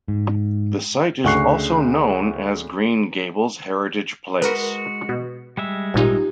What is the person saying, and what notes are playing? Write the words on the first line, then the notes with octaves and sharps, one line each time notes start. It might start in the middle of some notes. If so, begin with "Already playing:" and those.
The site is also known as Green Gables Heritage Place.
G#2
D2 C#3 C#6 F#6 C7
G#3 F#4 A#4 B4
B2
G3 G#3 E5
G#1 A#2 D#4 F4 G4